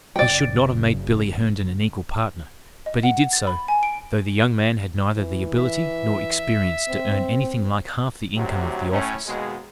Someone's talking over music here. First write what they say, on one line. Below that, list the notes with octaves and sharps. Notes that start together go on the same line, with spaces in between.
He should not have made "Billy" Herndon an equal partner, but he did so, though the young man had neither the ability nor experience to earn anything like half the income of the office.
F#1 C#3 D5 G5
D#5
F#5
A6
B5
G#5
D7
E3
E5
C4
D2 C3 F#3
A2 C#4
D#2 B2 G#3